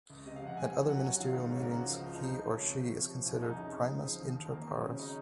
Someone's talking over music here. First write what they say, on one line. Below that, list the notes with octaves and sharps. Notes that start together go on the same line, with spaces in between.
At other ministerial meetings, he or she is considered "primus inter pares".
C#2
C3 D#5
F5
F2 F#5
C3 G#5
F2
F#3 F#5
F#3 F#5
D#3 F5
G#2
C#2 C#5
A#4
C#2
F#4
F3 F4
C#2
F4
F3 D#4
C#2
D#4
C#2 C#4
C3
F3
C3
F3
C2
F2 D#4
C#3
F2
C#3
F3
D#2
D#2
C4
D#2 A#3
F#3 C4
C#4
C#3
C#4
C#3 D#4